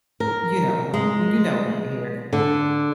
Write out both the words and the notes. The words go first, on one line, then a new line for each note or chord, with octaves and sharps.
You know, when you well, you know it when you hear it.
A#4
G#3
D3